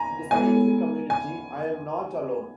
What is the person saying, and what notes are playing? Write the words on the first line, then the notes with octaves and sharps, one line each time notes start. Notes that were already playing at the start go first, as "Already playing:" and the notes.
In the scientific community, I am not alone.
Already playing: G#5 A#5
G#3 B3 E4 A4 C#5 G#5
G#5